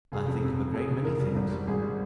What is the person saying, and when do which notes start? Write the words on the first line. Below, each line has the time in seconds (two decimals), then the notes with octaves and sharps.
I think of a great many things.
0.12 F1 G#4
0.28 F2
0.43 C3
0.59 F2
0.73 F1 G#4
0.90 C#3
1.05 F1 A#4
1.20 G3
1.36 G#1
1.51 G3
1.67 G#1 G#4
1.82 G3